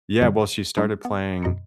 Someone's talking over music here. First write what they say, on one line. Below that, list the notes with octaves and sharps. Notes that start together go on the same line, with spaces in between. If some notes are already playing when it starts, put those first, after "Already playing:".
Yeah, well, she started playing
F#2 A#2 D3 G3
G3 G#3 D4 E4 A4
B3
F#2 B2 D#5 A#5 B5 C#7